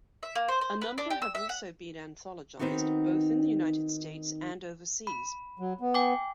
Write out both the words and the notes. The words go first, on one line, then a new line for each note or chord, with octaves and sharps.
A number have also been anthologized, both in the United States and overseas.
E5
A#3
C5
C5
B4
D4
G4
E6
E5
F#5
D#3 G3 B3 C4 D#4 F#4
B5
F#3
B3
G5 G#5 D6